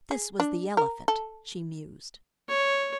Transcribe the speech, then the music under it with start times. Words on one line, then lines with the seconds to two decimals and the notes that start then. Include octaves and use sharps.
"This was the elephant," she mused.
0.11 G#4
0.40 D4
0.77 A#4
1.08 A4
2.48 C#5